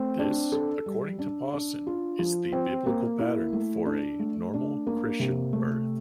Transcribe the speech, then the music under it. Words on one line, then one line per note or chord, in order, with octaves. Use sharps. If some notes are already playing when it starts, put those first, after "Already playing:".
This, according to Pawson, is the biblical pattern for a "normal Christian birth".
Already playing: A3 C4
D4
A4
G3
D4
D4
F4
F3
C4
A#3
E4
A3
D4
A3
D4
A#3
C3
A3